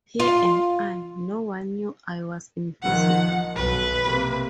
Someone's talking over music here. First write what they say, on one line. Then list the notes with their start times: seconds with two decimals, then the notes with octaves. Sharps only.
Here am I... No one knew I was invisible!
0.19 F4
2.82 A#1 D#3 F3 F#5
3.56 B1 B4
4.03 C3 A#3